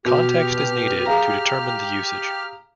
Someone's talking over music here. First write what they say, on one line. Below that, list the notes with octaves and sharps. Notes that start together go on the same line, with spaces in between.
Context is needed to determine the usage.
B2 G4 F6
G#4 F5 A#5